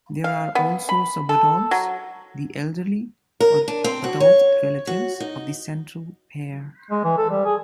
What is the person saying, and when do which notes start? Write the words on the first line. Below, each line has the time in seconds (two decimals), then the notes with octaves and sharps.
There are also subadults, the elderly, or adult relatives of the central pair.
0.24 F5
0.55 B3
0.89 B5
1.29 A4
1.71 F#3
3.40 A#4
3.68 D4
3.84 C4
4.04 F#4
4.20 C#5
4.87 F#4
5.20 D#4
6.91 G#3
7.04 E3
7.17 A4
7.30 G3
7.45 G#4